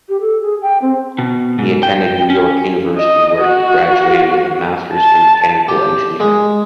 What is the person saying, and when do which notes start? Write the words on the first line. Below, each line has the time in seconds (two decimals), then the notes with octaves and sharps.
He attended Ney York university where he graduated with a Master in mechanical engineering.
0.09 G4
0.21 A4
0.42 G#4
0.62 G5
0.82 C4
1.18 B2
1.59 G#2
1.83 G5
2.30 C#4
2.98 D#5
3.42 F#4
4.94 A5
5.68 G4
6.20 G#3